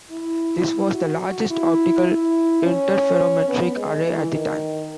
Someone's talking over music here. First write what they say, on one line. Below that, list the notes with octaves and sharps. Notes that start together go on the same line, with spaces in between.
This was the largest optical interferometric array at the time.
E4
F#4
E4
E4
C#4
B3
G#3
E3
D#3